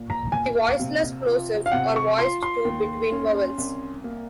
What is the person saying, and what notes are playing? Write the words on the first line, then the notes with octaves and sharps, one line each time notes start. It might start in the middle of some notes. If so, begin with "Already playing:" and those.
The voiceless plosive are voiced to between vowels.
Already playing: A#2
A#5
A#2 G#5
F5
C3
F4
F5
C3 F#5
C#6
F4 C6
C6
D#2
C#4
C2
A#3